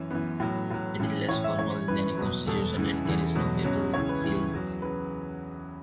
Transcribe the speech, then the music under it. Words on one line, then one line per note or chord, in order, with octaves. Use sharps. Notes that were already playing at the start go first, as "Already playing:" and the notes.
It is less formal than a constitution and carries no papal seal.
Already playing: F#2 E3 C#4
F#2 E3 B3
A2 F#3
A2 F#3
A2 E3 C#4
A2 E3 C#5
E5
F#2 E3 C#5
F#2 E3 B4
E2 B2 F#3
E2 B2 F#3 A4
E2 C#3 E3
E2 C#3 E3
E2 B2 F#3
E2 B2 F#3 C#4
C#2 C#3 E3 C#5
B4
C#2 C#3 E3
E2 C#3 F#3
C#3 F#3 B4